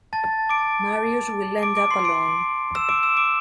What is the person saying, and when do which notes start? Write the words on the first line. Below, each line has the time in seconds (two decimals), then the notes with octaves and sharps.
Marius will end up alone.
0.13 A5 A6
0.49 D6 D7
1.63 D6 D7
1.77 D6 D7
1.91 C6 C7
2.04 D6 D7
2.75 E6 E7
2.89 D6 D7
3.03 E6 E7
3.17 D6 D7